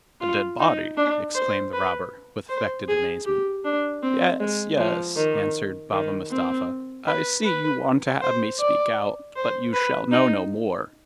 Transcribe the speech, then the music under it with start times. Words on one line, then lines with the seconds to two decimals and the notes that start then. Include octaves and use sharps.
"A dead body!" exclaimed the robber, with affected amazement. "Yes, yes," answered Baba Mustapha; "I see you want to have me speak out, but you shall know no more."
0.21 F4
0.60 D#4
0.97 D4
1.35 C5
1.73 B4
2.50 C5
2.88 G#4
3.26 G4
3.65 D4
4.03 C4
4.40 G#3
4.78 F3
5.16 D#3
5.92 D#3
6.31 C4
7.07 B4
7.45 B4
8.22 C5
8.59 D5
9.36 C5
9.73 B4
10.11 D#4